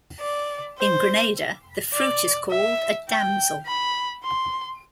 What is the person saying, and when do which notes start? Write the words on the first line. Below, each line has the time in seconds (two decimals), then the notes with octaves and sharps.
In Grenada, the fruit is called a damsel.
0.20 D5
0.78 C5
1.93 D5
2.51 E5
3.08 G5
3.66 B5
4.23 C6